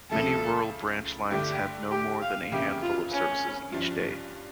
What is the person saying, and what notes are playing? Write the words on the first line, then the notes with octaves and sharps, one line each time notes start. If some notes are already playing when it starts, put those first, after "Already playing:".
Many rural branch lines had no more than a handful of services each day.
C#2 C#3 F3 A3 E4 A4
G2 D3 A3 E4 G4
G4
F5
F2 C#3 E3 A#3 E4 G4
F4
C#4
G2 F3 C#4 F4